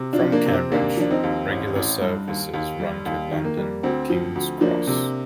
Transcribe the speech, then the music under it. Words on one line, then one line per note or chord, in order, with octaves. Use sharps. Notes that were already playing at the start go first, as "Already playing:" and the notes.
From Cambridge, regular services run to London King's Cross.
Already playing: C3
D4 F4
F3
A#3 D4
C3
C4
D#2 A#3 D4
F3 D4
C4 D#4
D#2
A1
A1
G2
D#2
D#2
G3
D#2
D#3
A#3
G3
D2 C4
F3
D2
F3 A#3 D4
C3